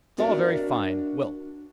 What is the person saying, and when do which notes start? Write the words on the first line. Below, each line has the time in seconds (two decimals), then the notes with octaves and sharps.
'It's all very fine--Well!
0.18 D4 F#4 A#4 C#5 D5 E5